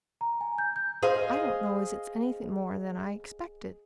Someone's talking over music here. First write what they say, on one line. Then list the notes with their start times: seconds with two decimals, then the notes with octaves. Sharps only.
"I don't know as it's anything more than I expected."
0.21 A#5
0.41 G#5
0.58 G6
0.76 G6
1.02 G#4 C5 D#5 F5